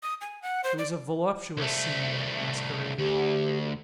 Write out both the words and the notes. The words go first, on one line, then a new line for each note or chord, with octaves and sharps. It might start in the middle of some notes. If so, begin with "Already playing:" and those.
It was a voluptuous scene, that masquerade.
D#6
G#5
F#5
C5
D5
C2 A3
D2 G4